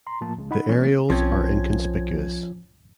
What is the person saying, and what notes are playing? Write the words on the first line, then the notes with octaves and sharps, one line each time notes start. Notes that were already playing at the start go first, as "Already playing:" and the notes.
The areoles are inconspicuous.
A#5 C6
A2 F3 A#3 A5
C#2 C#3 G#3
D#4 F#5 B5
E3 F#3 A3 B3 C#4
B1 F3 C4 C#4 G#6